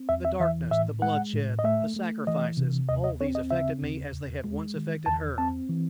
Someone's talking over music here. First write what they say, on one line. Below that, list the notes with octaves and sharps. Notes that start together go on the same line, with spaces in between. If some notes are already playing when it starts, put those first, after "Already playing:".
The darkness, the bloodshed, the sacrifices, all these affected me as they had once affected her.
Already playing: C4
E2 E5
E5
E3 E5
A2 E5
G#3 F#5
A2
D#5
A3 E5
A3
E3 D#5
C3
D#2 D#5
D#5
C4 C#5
D#5
C#3 E5
D#2
E2
G#3
D#3
E2 A5
C4 A5
E3